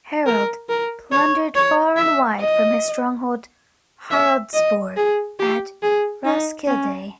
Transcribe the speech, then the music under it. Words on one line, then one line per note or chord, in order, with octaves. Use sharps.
Harald plundered far and wide from his stronghold Haraldsborg at Roskilde.
A#4
A#4
C#5
C#5
E5
D#5
E5
D#5
G#4
G4
G#4
D#4
C#4